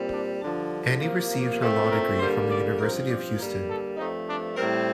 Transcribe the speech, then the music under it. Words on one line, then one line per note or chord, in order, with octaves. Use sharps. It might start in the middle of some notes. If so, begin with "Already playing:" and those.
Annie received her law degree from the University of Houston.
Already playing: A#2 G3 C4
D4
G2 D3 F3 D4
C3 F3 A#3
A#2 A3 C4 F4
A#4
D3 G3 A#3 C5
D5
G2 F3 C4 A#4
D5
D3 G3 A#3 A#4
A4
G2 F3 A3 C4 D#4
D4
A2 G3 C4 A#4